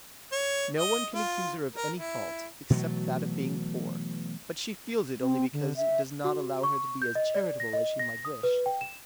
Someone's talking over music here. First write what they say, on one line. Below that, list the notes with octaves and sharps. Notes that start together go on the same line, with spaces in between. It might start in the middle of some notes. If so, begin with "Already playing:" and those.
No one can accuse her of any fault, except that of being poor, but she feels it only because it does not allow her to be as charitable as she might wish.
C#5
D#5
F4
A#4
E4
B2 E3 F#3 A3
C4
D3
E5
F#4
C#6
G6
D#5
D5
A#6
D#5
A#6
D#6
B4
G5
E7